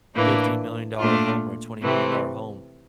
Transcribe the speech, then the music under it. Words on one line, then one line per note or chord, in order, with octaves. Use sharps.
fifty-million-dollar home or a twenty-million-dollar home.
A2 E3 A#3 D4
A#2 A3 D4 F4
C3 E3 A3 C4